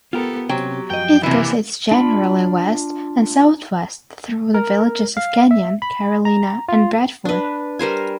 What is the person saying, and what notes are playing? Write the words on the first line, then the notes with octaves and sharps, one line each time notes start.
It proceeds generally west and southwest through the villages of Kenyon, Carolina, and Bradford.
B3 F4 G4 A4 A#4
C3 F#3 C#4 G4 G5
F#2 F3 D#5 G5
C3 E3 A#3 E4
D4 F4 B5
A#4
F5
E5
B5
A#5
F4
D4 B4
G3 A#4 C5 G#5